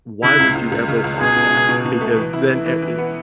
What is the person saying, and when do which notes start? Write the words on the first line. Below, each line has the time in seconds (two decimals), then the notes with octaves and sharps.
why would you ever want that? Because then it eh
0.23 C#3 E4
0.40 C#2
0.55 C#2
0.72 C#2
0.88 C#3
1.04 C#2
1.20 B2 G#4
1.36 B2
1.52 B2
1.69 B2
1.85 B2
2.01 A3
2.17 E3
2.33 E4
2.50 E3
2.66 E3
2.82 E3
2.98 B3